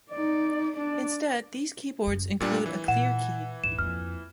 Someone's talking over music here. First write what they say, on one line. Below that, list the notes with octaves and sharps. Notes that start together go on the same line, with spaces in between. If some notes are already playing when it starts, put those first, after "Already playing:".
Instead, these keyboards include a "Clear" key.
D#4 D5
D4 D5
F#1 F#2
A#2 G3 B3 D4
E3
A#2 F#5 E7
D#2 G#2 E7
F2 A#3 F6